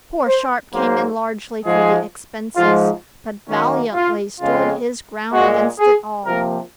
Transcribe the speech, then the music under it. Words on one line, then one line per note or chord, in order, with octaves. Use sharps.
Poor Sharp came in largely for the expenses, but valiantly stood his ground against it all.
C5
G#2 F#3 A#3 C5
G#2 F3 G#3 G#4
G#2 F3 G#3 F4
F#2 D#3 A#3 C#4
F4
F2 C#3 G#3 F4
A#2 G#3 F#4
G#4
C3 F3 A#3 A#4